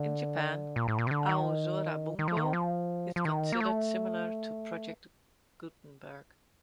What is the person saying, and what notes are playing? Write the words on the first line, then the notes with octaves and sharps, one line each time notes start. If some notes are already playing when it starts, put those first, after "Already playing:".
In Japan, "Aozora Bunko" is considered similar to Project Gutenberg.
Already playing: D3
A#2
A2
A#2
C3
D3
D#3
D#3
F3
D#3
F3
F3
D#3
A#3
A3